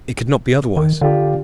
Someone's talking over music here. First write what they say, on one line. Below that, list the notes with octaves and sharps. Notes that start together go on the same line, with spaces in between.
It could not be otherwise.
D#3
D3 D4 F4 G4